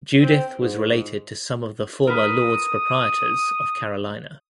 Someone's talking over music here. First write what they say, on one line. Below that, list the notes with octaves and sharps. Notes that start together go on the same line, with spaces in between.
Judith was related to some of the former lords proprietors of Carolina.
C4
G#2
A#4 B4 D#6